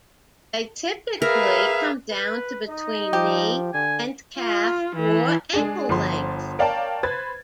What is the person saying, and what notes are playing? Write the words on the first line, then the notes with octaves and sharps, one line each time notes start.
They typically come down to between knee and calf or ankle length.
G#4 A#4 B4 E5 F5
B4
D#4 D#5
F3 G4
D3 G#5
F4
E3
G#3 D4 G#4
G1 F3 C6
A#4 C#5 D5 F5 G5 A5
B4 C5 B5 G#6 A6